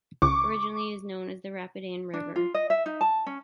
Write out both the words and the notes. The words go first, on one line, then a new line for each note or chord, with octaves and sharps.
Originally, it was known as the Rapid Ann River.
C#2 C#6 D6
D4
F4
D#5
E5
D#4
A5
C#4